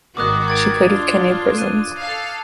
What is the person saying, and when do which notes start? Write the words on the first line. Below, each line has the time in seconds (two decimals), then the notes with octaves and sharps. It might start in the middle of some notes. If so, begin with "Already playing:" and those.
She played with Kenya Prisons.
0.17 G#1 D#3 F#4 D6 D#6 F#6
0.48 G#6 A6 D7
0.86 D4 F4
1.58 F#6 D#7
2.00 A4 F5